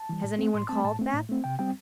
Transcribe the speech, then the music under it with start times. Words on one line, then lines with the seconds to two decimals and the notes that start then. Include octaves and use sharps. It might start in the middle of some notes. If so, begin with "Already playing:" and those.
Has anyone called, Beth?
Already playing: A5
0.09 E3 G3
0.24 A2
0.38 A3 C4
0.54 A2 C6
0.69 A3 C4 A5
0.84 A2 A5
0.99 A3 C4
1.14 A2
1.29 A3 C4
1.44 C3 G5
1.59 G3 C4 G5